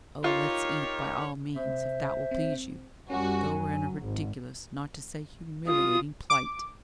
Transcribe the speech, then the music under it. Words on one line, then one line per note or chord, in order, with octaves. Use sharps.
"Oh, let's eat, by all means, if that will please you, though we're in a ridiculous, not to say humiliating, plight."
D#4 F4 G4 A#4 C#5
C3 C5 E5
C4
F#2 G3 C#4 F#4 A#4 G#5
F#3
G#1
F4 D#6
D6